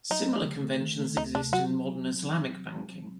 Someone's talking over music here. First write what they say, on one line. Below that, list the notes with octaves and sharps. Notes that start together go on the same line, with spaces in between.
Similar conventions exist in modern Islamic banking.
F#3 D#4
A3
D3
A3
D#3
A3
D2 D#4
C3 D4
F#3 F#4
C4